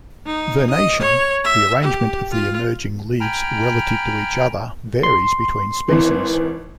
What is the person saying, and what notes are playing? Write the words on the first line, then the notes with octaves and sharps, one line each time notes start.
Vernation, the arrangement of the emerging leaves relative to each other, varies between species.
D#4
D#5
C#5
E5
G4
F4
G5 G#5 A#5 B5 F6
C6
G#1 E3